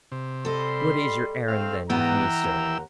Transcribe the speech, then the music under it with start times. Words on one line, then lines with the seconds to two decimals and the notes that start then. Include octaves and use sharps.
"What is your errand, then, with me, sir?"
0.12 C3
0.45 G3 A4 D#5 B5 C6
1.48 A3 C4 F5
1.90 G#2 E3 B3 D5 F#5 G5 A#5 E6
2.44 D#2